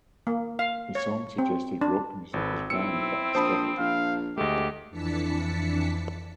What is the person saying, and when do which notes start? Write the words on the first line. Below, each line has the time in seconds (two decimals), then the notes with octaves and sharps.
The song suggested rock music as banned but unstoppable.
0.27 A#3
0.59 F5
0.95 C#5
1.38 C4
1.81 D4
2.34 G#1 A4 B4
2.70 B1 C4 E4 E6 C#7
3.35 A#1 C5 A5 B5 D#6
3.79 A#1 F5
4.38 D2 G#3 A3 G4 D#5
4.90 F2 E3 D4 A5 B6 C#7